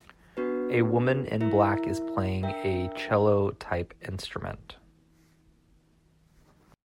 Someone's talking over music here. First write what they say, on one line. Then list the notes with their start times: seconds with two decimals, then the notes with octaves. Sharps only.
A woman in black is playing a Cello type instrument.
0.37 B3 D4 F#4 B4
1.41 E4 A#4 E5
2.43 D4 A#4 E5 G5